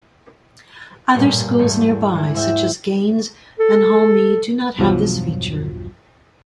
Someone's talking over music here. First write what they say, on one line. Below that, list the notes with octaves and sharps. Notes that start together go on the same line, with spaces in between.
Other schools nearby, such as Gaynes and Hall Mead do not have this feature.
A1 G2 A#2
E2 G#2 E3 A3
E3 E4
G#2 E5 G5
A4
B1 E2 G2 F3 F#3